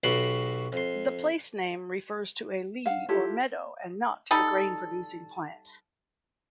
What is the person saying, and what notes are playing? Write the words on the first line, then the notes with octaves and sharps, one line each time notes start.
The place-name refers to a lea or meadow and not to the grain-producing plant.
B1 B2 F#4 G4 B5 C6
F2 C6
F5 F#5
E4 F4 G4 A4
G3 D#4 A4